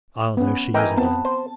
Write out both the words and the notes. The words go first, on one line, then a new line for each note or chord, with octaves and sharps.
Ah, there she is again.'
B3 C#4
E3 A#4 D#5 G5 G#5
B3 C4 A5
C5